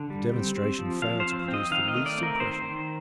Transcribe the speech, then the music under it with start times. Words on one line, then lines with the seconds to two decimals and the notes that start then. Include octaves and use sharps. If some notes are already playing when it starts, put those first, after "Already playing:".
The demonstration failed to produce the least impression.
Already playing: D3
0.10 G3
0.33 C4
0.57 C4
0.79 F3
1.02 F3 F5
1.20 C5
1.26 C4
1.48 C4
1.54 D#5
1.71 D#3 F5
1.88 D#5
1.94 A3
2.06 D5
2.18 C4 A#4
2.40 D#3 C5
2.63 D#3